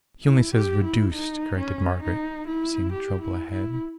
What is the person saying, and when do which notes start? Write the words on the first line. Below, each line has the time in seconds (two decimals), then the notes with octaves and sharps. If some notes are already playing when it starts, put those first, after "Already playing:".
"He only says 'reduced,'" corrected Margaret, seeing trouble ahead.
0.24 E4
0.54 G4
0.85 E4
1.13 D#4
1.58 C#4
2.03 D#4
2.48 E4
2.93 G4
3.22 E4
3.52 E4